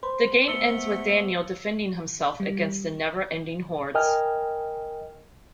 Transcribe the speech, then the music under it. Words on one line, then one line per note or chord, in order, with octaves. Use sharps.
The game ends with Daniel defending himself against the never-ending hordes.
B4 C5 B5 C6
A3 B3 E6 C#7 G7
G3
A#4 D#5 G5 G#5 F6